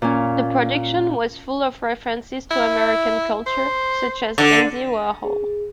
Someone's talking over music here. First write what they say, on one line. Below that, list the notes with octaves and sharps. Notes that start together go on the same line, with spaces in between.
The production was full of references to American culture, such as Andy Warhol.
A#2 C#4
E4
C5
D3
G#4